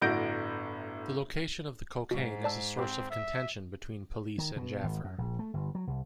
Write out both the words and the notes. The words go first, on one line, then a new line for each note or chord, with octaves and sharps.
The location of the cocaine is a source of contention between police and Jaffer.
G1 A2 F#4 G6 A#6 D7
G#2 B2
D5 A5 E6
C4 G4
E5
D#3
B2
G#1
F#2
A#1
A3
G1
F#3
C2